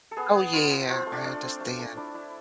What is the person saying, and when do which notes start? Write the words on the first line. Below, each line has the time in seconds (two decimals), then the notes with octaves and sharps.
Oh, yeah. I understand.
0.11 A4
0.16 B3 G#4
0.35 B3
0.53 E4 F4
0.71 E4
0.88 C4 F4 C5
1.07 A3
1.13 D4 D5
1.24 A3 D4 D5
1.43 C4
1.61 A3
1.79 A3
1.97 D4 E4 D5
2.15 E4